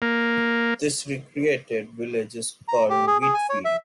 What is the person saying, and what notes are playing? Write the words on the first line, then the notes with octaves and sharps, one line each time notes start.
This recreated village is called Wheatfield.
A#3
A#5
G4
G#4
G#4
G#5
C#5
E5